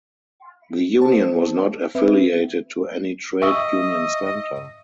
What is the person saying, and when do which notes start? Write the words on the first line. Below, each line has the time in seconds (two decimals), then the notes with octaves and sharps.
The union was not affiliated to any trade union centre.
1.01 C5 A5
1.95 C4 B4 E5
3.42 D#5 E5 C#6 D#6 E6